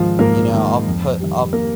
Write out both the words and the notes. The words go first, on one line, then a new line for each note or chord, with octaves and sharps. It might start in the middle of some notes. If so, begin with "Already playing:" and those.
you know, I'll put I'll
Already playing: G#2 D#3 F3 G#3 D#4 F4
G#2 A#3 A#4
D#3 G#3
F2
D#3 G3
A#3 A#4